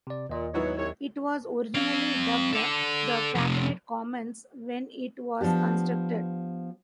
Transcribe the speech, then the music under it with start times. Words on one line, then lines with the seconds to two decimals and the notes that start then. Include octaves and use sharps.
It was originally dubbed the "Cabinet Commons" when it was constructed.
0.07 C3 D5
0.29 D#2 A#2 D#5
0.54 G#2 F#3 B3 E4 C#5
0.78 C2 C#5
1.75 C4 F5
2.53 A4 D5
3.35 F2 C3
5.41 F3 B3 D4 G4